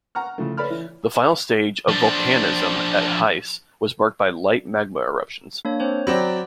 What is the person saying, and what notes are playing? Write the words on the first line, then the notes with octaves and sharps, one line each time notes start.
The final stage of volcanism at Heise was marked by "light" magma eruptions.
F#5 A#5 C#6 F6
A2 C#3 F3 A3
A4 B4 C#5 D5 B5 F6
E3
F3 D4
A#3 D4 C#5
C4 C5 C#5
F#3 C4 D5 B5